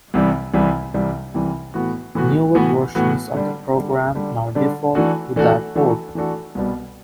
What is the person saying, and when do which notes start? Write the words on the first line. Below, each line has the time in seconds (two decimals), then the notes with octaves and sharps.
Newer versions of the program now default to that port.
0.14 C2 C3 E3 G3
0.54 C2 C3 E3 G3
0.94 C2 C3 E3 G3
1.34 C2 C3 E3 G3
1.74 A2 E3 B3 F#4
2.15 A2 E3 B3 F#4
2.55 A2 E3 B3 F#4
2.95 A2 E3 B3 F#4
3.35 D3 G3 D4
3.75 D3 G3 D4
4.15 D3 G3 D4
4.55 D3 G3 D4
4.95 E3 A3 D4 F#4 A4
5.36 E3 A3 D4 F#4 A4
5.75 E3 A3 D4 F#4 A4
6.15 E3 A3 D4 F#4 A4
6.55 C2 B2 G3 B3